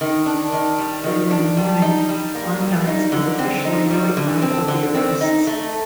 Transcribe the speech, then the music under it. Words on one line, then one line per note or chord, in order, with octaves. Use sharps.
Later in the morning Kleindienst was officially notified of the arrests.
D#3
D4
D#3
G3
D#3
D4
G3
D#4
G3
A#3
G3
D#4
D3
C4
D#4
G3
D3
C4
D3
C4
D#4
A3